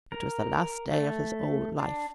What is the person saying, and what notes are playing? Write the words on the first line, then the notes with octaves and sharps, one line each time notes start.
It was the last day of his old life.
A#4
A3
D4